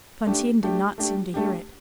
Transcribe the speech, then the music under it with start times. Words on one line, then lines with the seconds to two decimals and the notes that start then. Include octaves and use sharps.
Fantine did not seem to hear it.
0.26 A3 D4 G4
0.63 A3 D4 G4
0.98 A3 D4 G4
1.34 A3 D4 G4